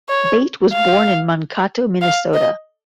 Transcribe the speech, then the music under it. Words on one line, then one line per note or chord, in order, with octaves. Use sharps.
Bate was born in Mankato, Minnesota.
C#5
F5
F5
D#5